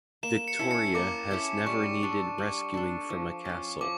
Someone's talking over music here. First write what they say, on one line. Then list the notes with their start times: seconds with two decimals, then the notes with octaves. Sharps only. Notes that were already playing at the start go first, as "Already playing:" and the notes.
Victoria has never needed rescuing from a castle.
0.23 A#3 E7
0.48 C#7
0.59 C#4 E4 A4
0.71 C#7
0.95 A#3 D6
1.31 C#4 E4 A4
1.66 G3 C#6
2.03 D4 A4
2.38 G3
2.74 D4 A4
3.10 F3
3.45 C#4 F4
3.81 F3 D6